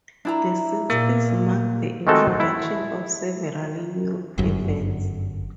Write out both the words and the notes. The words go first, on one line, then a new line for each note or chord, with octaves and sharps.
The sixties marked the introduction of several new events.
D4 E4 A#5
A#2 A#3
D#3 G#3 A3 C4 F#4 A4
E4
G1 F#2